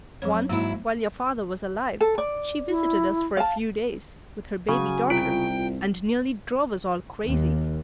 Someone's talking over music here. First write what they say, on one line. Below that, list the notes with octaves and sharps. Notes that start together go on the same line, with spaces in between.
Once, while your father was alive, she visited us for a few days, with her baby daughter, and nearly drove us all crazy.
F2 F#3 C#5
G#2 F#3 A#3 E4
A4
D5
E4
F5 A5
C#3 F#3 G#5
C2 F4 G5 D7
D#2